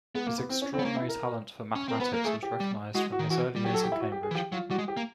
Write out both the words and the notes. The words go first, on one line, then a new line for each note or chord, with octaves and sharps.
His extraordinary talent for mathematics was recognised from his early years in Cambridge.
G#3 B3
A#3
B3
C4
C#4
C4
B3
A#3 C#4
E4
A#4
C#4
C4 A#4
B3 B4
A#3 A#4
A3 G#4
G4
G3
G#3 F#4
F#4
D#3
E3 F#4
G3
F#3 G4
A4
G4
E4
F#4
G4
G#4
E3
F3 G4
F#3 F4
G3 F#4
G#3
G4
A#3